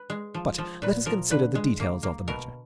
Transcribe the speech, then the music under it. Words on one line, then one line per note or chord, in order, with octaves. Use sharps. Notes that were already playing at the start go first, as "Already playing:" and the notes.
But let us consider the details of the matter.
Already playing: B4
G#3
F3
F3
A#2 B4
F3 A#4
D3 B4
G#3
A#3
A#3
B2 A#4